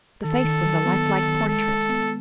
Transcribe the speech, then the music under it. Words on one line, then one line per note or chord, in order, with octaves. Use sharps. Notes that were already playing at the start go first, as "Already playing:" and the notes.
The face was a lifelike portrait.
D#3 A4
D#3
F#3
B3
D#3
D#3
G#3 A4
G#3
B3